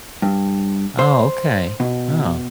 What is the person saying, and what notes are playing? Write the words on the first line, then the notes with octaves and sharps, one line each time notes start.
Oh, okay. Oh,
G2
C5
B2